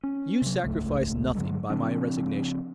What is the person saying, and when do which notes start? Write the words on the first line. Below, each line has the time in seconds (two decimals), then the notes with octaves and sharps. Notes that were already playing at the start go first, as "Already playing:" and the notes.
You sacrifice nothing by my resignation.
0.03 C#4
0.42 C3 F#3
0.63 D#1 G#1 C#2 A3
1.35 G2 D3 F#3 G#3
1.70 C#3 F3 C4 D4